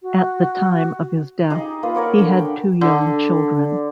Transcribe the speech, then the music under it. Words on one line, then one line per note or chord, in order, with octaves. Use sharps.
At the time of his death, he had two young children.
F#4
D#4 G4 G#4 D#5
A#3 F4 B4
A#4 C#5 D5 F#5
D3 B5
G5
D3